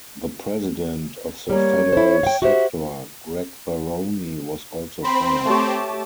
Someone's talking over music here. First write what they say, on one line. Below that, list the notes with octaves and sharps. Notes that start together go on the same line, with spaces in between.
The president of the federal sector, Greg Baroni, was also fired.
G3 A#3 C#5
E4 C5
F5 G5
F#4 G4 C5 E5
C4 B5 C6
A3 G4 C#5 A5